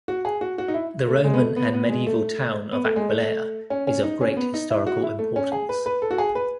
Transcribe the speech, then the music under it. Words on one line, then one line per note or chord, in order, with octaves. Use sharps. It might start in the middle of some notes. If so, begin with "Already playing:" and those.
The Roman and medieval town of Aquileia is of great historical importance.
F#4
G#4
F#4
F#4
D#4
E4
A3
G#3
B3
A3
B3
B3
G#3
A3
B3
A3
G#3
A3
A3
C#4
C#4
D#4
C#4
B3
D#4
E4
F#4
E4
A3
C#4
G#4
B4
B4
A4
F#4
G#4
B4